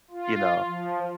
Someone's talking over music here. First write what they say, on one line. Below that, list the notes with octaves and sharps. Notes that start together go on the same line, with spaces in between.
you know?
F4
F3